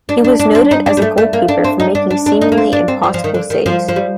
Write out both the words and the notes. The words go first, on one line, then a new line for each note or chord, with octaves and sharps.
He was noted as a goalkeeper for making seemingly impossible saves.
D4
D4
D4
C4
D#4
D4
G3
A3
A3
A#3
D4
C4
D#4
D4
D4
D4
D#4
A#3
C4
D4
C4
F3
F3
D#3
D3
D#3
F3
F3
G3